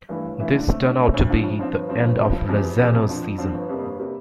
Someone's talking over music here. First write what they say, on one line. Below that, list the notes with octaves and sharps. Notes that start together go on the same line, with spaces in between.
This turned out to be the end of Razzano's season.
G2 E3 A3 E4
G1
G2 E3 A3 E4
D3
A3 C4
D3
A3 C4
D2
D3 F3 C4 F4
D2
D3 F3 C4 F4
G1
G2 F3 C4
G1
G2 F3 C4
F1
E2 C3 F3
F1
E2 C3 F3
F2
D3 F3 C4
F2
D3 F3 C4
G1
F2 C3 G3 A#3
G1
C3 G3 A#3